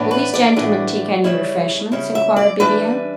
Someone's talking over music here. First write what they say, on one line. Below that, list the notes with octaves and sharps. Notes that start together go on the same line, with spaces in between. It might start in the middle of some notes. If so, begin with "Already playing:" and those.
"Will these gentlemen take any refreshments?" inquired Bibiaine.
Already playing: A2 E3 B3 D4
B4
D5
A2 E3 B3 D4
C#3 G3 C#4 E4
C#3 G3 C#4 E4
E5
D5
E3 G3 D4 B4